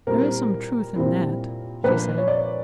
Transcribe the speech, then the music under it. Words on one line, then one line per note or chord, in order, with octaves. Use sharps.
"There is some truth in that," she said.
A#2 G3 C4 E4 A#4
A#2 G3 C4 E4
A#2 F3 A#3 D4 B4
C#5
D5